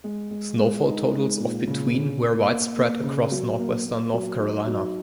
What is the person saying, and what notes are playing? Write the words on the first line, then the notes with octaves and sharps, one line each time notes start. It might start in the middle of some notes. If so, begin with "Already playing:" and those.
Snowfall totals of between were widespread across northwestern North Carolina.
G#3
G#3
G#3
D#4
G#3
A#2
C#3
C#3
A#3
A#3
A#3
C#3
F#3
A#3
A#3
F#3
D#4
F#3